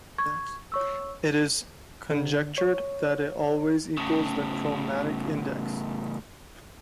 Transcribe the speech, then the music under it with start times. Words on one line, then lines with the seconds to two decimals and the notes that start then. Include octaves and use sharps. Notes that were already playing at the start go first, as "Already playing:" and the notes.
It is conjectured that it always equals the chromatic index.
0.18 C#6 G#6
0.72 C#5 C#6 E6
2.11 D3
2.58 C#5
3.97 A2 C#3